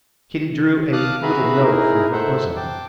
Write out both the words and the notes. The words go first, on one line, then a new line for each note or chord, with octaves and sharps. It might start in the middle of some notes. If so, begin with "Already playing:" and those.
Kitty drew a little note from her bosom.
F5 A5 D6 D#6 F6 F#6
F#4 G#4 B4 E5 A#5 B5
D#4 E4 G#4 A#4
A4 C5 E5 F#5
G5 A5 D6